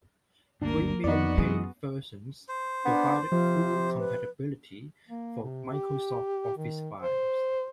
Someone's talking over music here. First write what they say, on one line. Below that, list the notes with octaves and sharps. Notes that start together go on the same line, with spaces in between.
Premium paid versions provided full compatibility for Microsoft Office files.
G1 D2 A#3 D4 A#4
F2 B3 D#4 F#4 D5
F#2 E3 G#3 F4 G#4 D#6
C5
B3 D4
C3 F3 F4
B4
A#3
C3
G4
D#3
C5